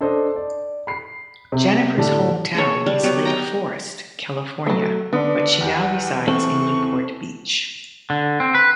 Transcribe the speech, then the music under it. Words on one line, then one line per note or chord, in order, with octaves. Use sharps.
Jennifer's hometown is Lake Forest, California but she now resides in Newport Beach.
D4 A4 C5 D#5
D5
B5 C7
C3
A2 D3 G4 D5 A5
G#4 A4 C#5
G3
F#3 B3 G4
D#5 G5 A#5
F#3 A3
D3 B3 D4
E2 G4 F#5
C4 E4 A4 C#6
D3
C4
B4